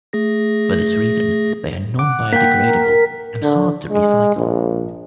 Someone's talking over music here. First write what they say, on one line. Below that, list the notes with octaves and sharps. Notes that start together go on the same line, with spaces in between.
For this reason they are non-biodegradable and hard to recycle.
A3 G#4 A#6
F#5 D6
A#3 G5 B6
A#4
D3
G#3
A#1